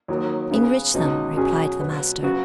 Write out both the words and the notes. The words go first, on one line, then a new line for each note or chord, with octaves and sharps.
"Enrich them," replied the Master.
D#2 D#3 F#3
C#3 B3 G#4
C#2 B2 B3 D#4
B2 F#3 C#4 G#4
B2 F#3 B3
C#3 F#3 B3 F#4